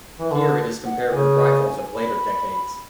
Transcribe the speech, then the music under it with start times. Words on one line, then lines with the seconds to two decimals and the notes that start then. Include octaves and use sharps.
Here it is compared with rifles of later decades.
0.19 E3
0.31 D3 A5
0.85 F#5
1.13 C#3 G#5
1.94 B5